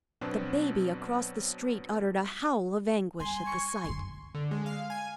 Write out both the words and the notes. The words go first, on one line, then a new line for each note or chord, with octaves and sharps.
The baby across the street uttered a howl of anguish at the sight.
B2 F#3 B3 C4 D4
G3 G#5 C6
C#6
F#2 D3 C6
D3
G#3
F5
G#5